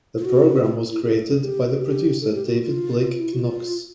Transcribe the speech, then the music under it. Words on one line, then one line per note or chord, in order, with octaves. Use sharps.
The programme was created by the producer David Blake Knox.
F4
F#4
F4
E4
G#4
A4
G#4
G4
F#4
G4
A4
G4
F#4
F4
F4
E4
F#4
F4